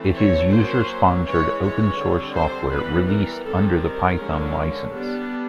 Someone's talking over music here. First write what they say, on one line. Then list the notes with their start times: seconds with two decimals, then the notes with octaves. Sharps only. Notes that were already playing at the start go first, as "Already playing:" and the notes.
It is user-sponsored, open-source software, released under the Python License.
Already playing: E3 A3 C4
0.16 C#5
0.52 F#3 A#3 C#4 C5
1.25 E3 G#3 C#4 C#5
1.62 C#5
1.98 D3 G3 C4
2.35 C5
2.72 E3 G3 B3 B4
3.08 A#4
3.45 D#3 G3 C4 A4
3.81 A#4
4.18 D3 F3 G#3 C#4
4.91 G3 B3 D4